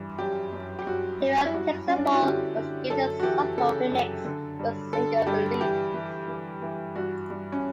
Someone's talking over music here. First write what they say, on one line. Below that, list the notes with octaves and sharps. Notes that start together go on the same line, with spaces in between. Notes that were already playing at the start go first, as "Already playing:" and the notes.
"Hero Takes a Fall" was given a subtle remix for its single release.
Already playing: G2 E3
F#2 G4
F#2
G4
F#2 F#4
F#2
E4
G2 F#4
G2 C#4
D4
E4
F#4
D3 G4
D3
F#2 A4
F#4
E3 G4
C#3 A4
F#2
D3
G2
D3 A4
G2 G4
E3 G4
E3
E3
E3
G2 F#4
G2
C#4